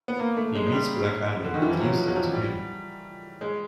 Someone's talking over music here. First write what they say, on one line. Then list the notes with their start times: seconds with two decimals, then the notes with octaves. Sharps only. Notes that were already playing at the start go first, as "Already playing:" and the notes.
He meets Black Adam and gives them to him.
0.08 B3
0.19 A#3
0.37 A3
0.55 G#3
0.67 G#3
0.72 G3
1.45 D3
1.54 D#3
1.62 E3
1.71 F3
1.80 F#3
1.98 F3
2.08 F#3
2.16 F3
2.33 G3
3.41 G#3